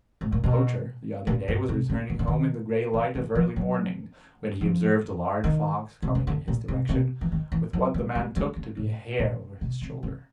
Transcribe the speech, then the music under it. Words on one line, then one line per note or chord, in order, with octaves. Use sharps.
A poacher, the other day, was returning home in the grey light of early morning, when he observed a large fox coming in his direction, with what the man took to be a hare over his shoulder.
A2
A#2
B2
A#2
G2
C3
C#3
D#3
D3
D#3
E3
E3
F3
F#3
F3
D#3
C3
C#3
D3
A#2
C3
C3
E3
D#3
E3
F#3
G3
G3
G3
C#3
A2
A#2
B2
C3
C#3